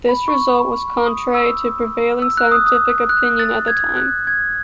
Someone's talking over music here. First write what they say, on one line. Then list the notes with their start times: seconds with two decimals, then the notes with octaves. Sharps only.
This result was contrary to prevailing scientific opinion at the time.
0.09 B5
0.28 C#6
1.06 D#6
1.34 E6
2.22 E6
2.37 F#6
2.52 D#6
2.66 D#6
3.09 F#6
3.39 A6
3.68 G#6
3.97 F#6
4.27 G#6